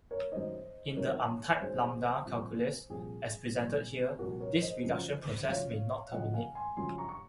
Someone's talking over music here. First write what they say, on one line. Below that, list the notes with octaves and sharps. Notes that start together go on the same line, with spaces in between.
In the untyped lambda calculus, as presented here, this reduction process may not terminate.
A#4 C#5
F#2 D#3 C5 D#5
F#2 D#3 A#4 C#5
F#2 D#3 G#4 C5
C2 A#2 F3
C2 A#2 F3 G#4
C2 A#2 F3
C2 A#2 F3 F#4 A#4
A#4 C#5
C5 D#5
F#2 C#3 F3
F#2 C#3 F3 C#5 F5
F#2 C#3 F3 D#5 F#5
F5 G#5
G#5 C6
F#2 C#3 F3 G#5 C6
A#5 C#6
C#6